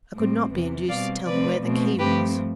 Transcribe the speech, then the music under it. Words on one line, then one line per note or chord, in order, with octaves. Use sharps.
I could not be induced to tell where the key was.
A2 G3 C4
E2 C3 E3
B2 G3 C4 D5 F5
C3 F3 A3 C4 B4 D5
B2 A3 C4
G2 F3 A3 C4 G4 B4